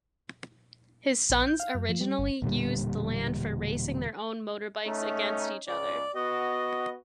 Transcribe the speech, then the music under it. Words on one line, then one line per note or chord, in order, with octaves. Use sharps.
His sons originally used the land for racing their own motorbikes against each other.
A#1
G6
F5
F#2
F3
G3
G1
E1 A#2 D3 G3
A3 C#4 D#4
C#2 D5
B3 F#4 D#5